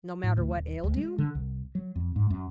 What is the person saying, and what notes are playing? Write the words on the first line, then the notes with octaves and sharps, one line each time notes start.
"No matter what ailed you?"
A2
D2
D#1
D2
G#3
D3
C2
F#3
F2
G#2
F#2